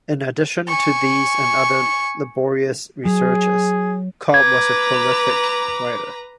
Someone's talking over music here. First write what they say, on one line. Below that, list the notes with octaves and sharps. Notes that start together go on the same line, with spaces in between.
In addition to these and other laborious researches, Kopp was a prolific writer.
G#5 C#6
F#3 G#4
B4 A#5 D6 G#6